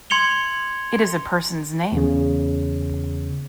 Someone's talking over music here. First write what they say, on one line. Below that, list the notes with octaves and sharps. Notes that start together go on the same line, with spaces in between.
It is a person's name.
C6 G#6 C#7 F7 G7
E2 C#3